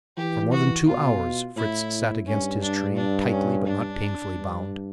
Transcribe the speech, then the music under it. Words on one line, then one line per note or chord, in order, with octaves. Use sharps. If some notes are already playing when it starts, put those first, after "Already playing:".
For more than two hours Fritz sat against his tree, tightly but not painfully bound.
E3 G4
F#4
B2 F4
A2 E4
G2 C#4
D4
D4
C#4
D4
G2